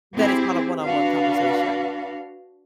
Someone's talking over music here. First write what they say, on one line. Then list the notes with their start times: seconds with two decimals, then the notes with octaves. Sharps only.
Then it's not a one-on-one conversation,
0.14 C4 E4 G4 G#4 C5
0.81 D4 F#4 B4 F5